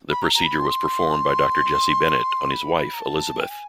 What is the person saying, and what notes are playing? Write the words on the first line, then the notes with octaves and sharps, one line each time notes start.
The procedure was performed by Doctor Jesse Bennett on his wife Elizabeth.
B5
A#5
A#5
B5
C6
B5
B5
A#5
A5
G5
G#5